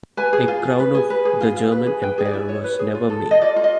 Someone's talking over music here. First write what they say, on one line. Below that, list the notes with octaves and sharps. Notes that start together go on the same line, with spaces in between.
A Crown of the German Empire was never made.
B4 G#5
G#4
F4
F4
B4
G#4
B4
G#4
F4
F4
B4
G#4
B4 G5
G#4
D5
E4
E4 C#5
B4
G#4
F4
A4
A4
D#5
F4 D5
F4
D#5